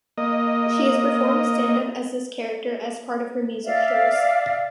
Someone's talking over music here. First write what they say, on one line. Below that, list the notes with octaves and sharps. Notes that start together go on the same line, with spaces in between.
She has performed stand-up as this character as part of her music shows.
A#3 D#5
D5 E5 F5